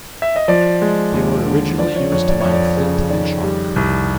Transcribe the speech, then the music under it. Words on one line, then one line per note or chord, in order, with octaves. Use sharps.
They were originally used to mine flint and chalk.
E5
D#5
F3 D5
G#3
D#2
D3
F3 D5
C#5
F2 C#5
D5
F2 C#5
D5
C#3
D#3 D5
G3
C2